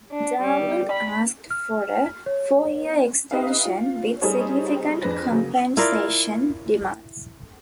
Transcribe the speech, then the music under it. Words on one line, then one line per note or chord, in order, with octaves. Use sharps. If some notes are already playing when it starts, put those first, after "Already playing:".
Dallman asked for a four-year extension with significant compensation demands.
D4
G3
B5
F6
C#5
D#4 G4 B4 E5 F5
F4
G3 D#4 G#4 A4 C5 C#5
F2 D4 G#4 B4 C5 A#6
C#3 F#3 A#3
E4 F4 A#4 D5